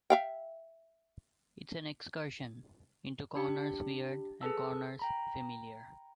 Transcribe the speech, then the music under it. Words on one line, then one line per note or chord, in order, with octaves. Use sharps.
It's an excursion, into corners weird and corners familiar.
E5 F5 G5
D4 G4 B5
G#4 A4 B4 A5 E6
G5 A#5 B5